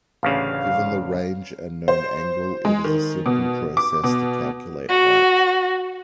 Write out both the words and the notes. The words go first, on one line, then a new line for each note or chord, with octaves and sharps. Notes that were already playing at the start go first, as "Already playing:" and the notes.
Given the range and known angle it is a simple process to calculate height.
A1 D2 C#3 F5
C5
G#3
D#3
B2
D6
B2
F#4